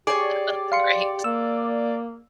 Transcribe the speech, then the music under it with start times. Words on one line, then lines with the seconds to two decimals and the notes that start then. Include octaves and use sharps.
That's great.
0.07 G4 G#4 C#5 D5 D6
0.72 F5 C6 C#7
1.24 A#3 E6